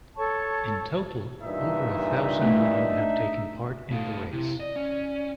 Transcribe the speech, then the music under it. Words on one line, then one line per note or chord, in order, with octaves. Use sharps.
In total, over a thousand women have taken part in the race.
A4 C#5 A5 C#6
G2 A#2 E3 D4 D#4 E5
A3
A3 D#4 F5
C3 E4
D5 D#5
C#4